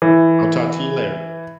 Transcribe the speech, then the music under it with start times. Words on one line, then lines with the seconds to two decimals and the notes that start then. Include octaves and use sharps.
I'll talk to you later.
0.02 E3